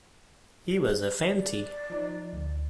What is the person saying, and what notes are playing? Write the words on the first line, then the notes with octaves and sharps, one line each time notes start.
He was a Fanti.
D5
F3 D#4
D2